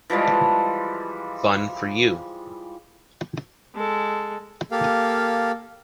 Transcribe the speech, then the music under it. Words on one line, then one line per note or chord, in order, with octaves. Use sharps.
Fun for you.
E3 F3 G3 G#3
G#3 A4
A#3 G4 A4 F5